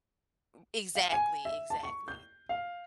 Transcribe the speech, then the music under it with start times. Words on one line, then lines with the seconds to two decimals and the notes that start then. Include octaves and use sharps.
M exactly, exactly.
0.95 F5
1.12 G#5
1.45 E5
1.70 A5
1.83 C#6
2.08 G6
2.49 F5